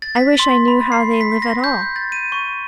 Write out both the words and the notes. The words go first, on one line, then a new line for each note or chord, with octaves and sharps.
I wish I knew how they live at all.
A6
B6
C6
B5
C7
B6
A#6
G6
A6
D#7
C#6